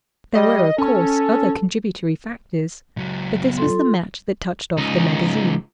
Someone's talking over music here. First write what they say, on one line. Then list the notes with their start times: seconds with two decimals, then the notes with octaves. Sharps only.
There were, of course, other contributory factors, but this was the match that touched off the magazine.
0.35 G3 D#5
0.78 C#4 A4
2.97 C#2 F#3
3.42 B3
3.58 F4 A4 C6
4.77 C#2 D#4